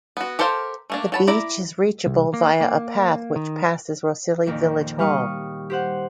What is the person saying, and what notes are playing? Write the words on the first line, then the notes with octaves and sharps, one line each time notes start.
The beach is reachable via a path which passes Rhossili village hall.
B3 F#4
G4 A4 A#4 C5 F5
A3 A#3 D4
F#3 A5 B5
E4 D5 A#5
C2
A#3
A#3
D#3
F2 A#2 D#3
G3 F5 C#6 D#6
G4 C5 F#5